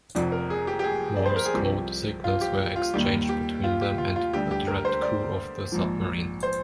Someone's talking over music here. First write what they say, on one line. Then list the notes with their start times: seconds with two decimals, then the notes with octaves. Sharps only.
Morse code signals were exchanged between them and the trapped crew of the submarine.
0.15 F1 F2 C3 F3 D5
0.32 A#4
0.50 G#4
0.67 G4
0.79 G4
0.84 G#4
1.17 D5
1.26 C5
1.36 A#4
1.45 G#4
1.54 C2 C3 F3 G4
2.24 F4
2.41 G4
2.76 F4
2.93 D#2 D#3 G3 G4
3.29 G4
3.64 F4
3.81 G4
3.98 F4
4.16 F4
4.33 D2 D3 G3 G4
4.51 G4
4.68 A#4
4.85 C5
5.02 D5
5.72 A#1 G#2 F3
6.43 C5